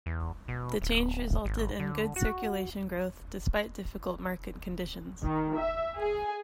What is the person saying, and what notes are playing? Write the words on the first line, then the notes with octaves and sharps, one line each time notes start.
The change resulted in good circulation growth, despite difficult market conditions.
E2
B2
D1
G#1
D3
F#4
D#3
E5
G#4